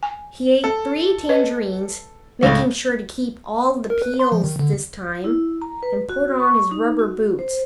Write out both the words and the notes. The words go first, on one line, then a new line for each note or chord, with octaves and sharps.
He ate three tangerines, making sure to keep all the peels this time, and put on his rubber boots.
G#5
A4
B4 D#5
C#2 A2
A#4
B4
C6
F3
D#3
D3
E4
A#5
B4
F#4
C#6
D#4
F#4
C5